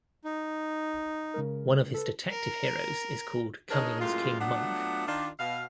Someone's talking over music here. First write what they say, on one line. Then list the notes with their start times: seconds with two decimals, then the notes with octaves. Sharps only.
One of his detective heroes is called Cummings King Monk.
0.24 D#4
1.34 C#3 G#3 A#4
1.94 A4 B4
2.31 A#4
3.71 D4 D#4 G#4 A#4 C#5 D#5
4.00 F#2 A2 G#3 A#3 F4
4.40 F#3 A3 B3 D4 F4 F#5
5.07 D#3 D4 F4
5.39 B2 F5